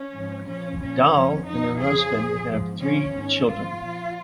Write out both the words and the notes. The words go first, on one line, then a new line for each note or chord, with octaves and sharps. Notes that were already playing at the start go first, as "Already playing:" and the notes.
Dahle and her husband have three children.
Already playing: C#4
G#2 F3
A#2 F3 C#4
A#2 F3 C#4
F2 F3
F2 F3 D#4
F2 C#3 F3 G#4
A#2 F3
G#2 F3
A#2 F3 C#4
G#2 D#3
G#2 F3 F4
A#2 F3